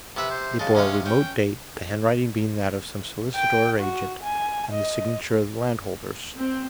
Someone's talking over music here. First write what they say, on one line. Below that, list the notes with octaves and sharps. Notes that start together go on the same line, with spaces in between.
It bore a remote date, the handwriting being that of some solicitor or agent, and the signature the landholder's.
C3 B4 E5
C5
C#3 G#3 A5
C3 G#3 C#4 F5
C#4 G5
G5
F#4
G#5
D#5
C4